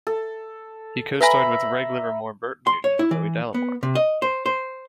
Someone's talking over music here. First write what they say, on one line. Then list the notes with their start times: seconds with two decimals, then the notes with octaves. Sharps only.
He co-starred with Reg Livermore, Bert Newton and Chloe Dallimore.
0.07 A4
1.21 B4 E5 G#5 A#5 B5
2.67 C6
2.84 C#5
2.99 E4
3.11 E3
3.54 B3
3.83 C3
3.95 D#5
4.22 C5
4.46 C5